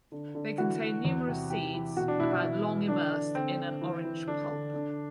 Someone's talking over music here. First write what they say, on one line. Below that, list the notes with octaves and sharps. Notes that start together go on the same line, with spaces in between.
They contain numerous seeds about long immersed in an orange pulp.
D3
D3
E3 F#4
E3
E2
C3
E3 G4
E3
B2 F#4
D4
B2 E4
E4
E3 E4
E3
D3 D4
D3
D3 C4
D3
E3
E3
D3 D4
D3
D3